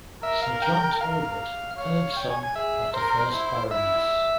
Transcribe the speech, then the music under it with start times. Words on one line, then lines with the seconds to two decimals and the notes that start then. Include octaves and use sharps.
Sir John Talbot, third son of the first Baroness.
0.23 A#4 E5
0.42 F5
0.62 G5
1.01 F5
1.78 C#5 F5
2.17 G5
2.30 G#5
2.43 G#5
2.56 G#4 E5
2.94 A#4 C5
3.33 E4
3.71 E4 E5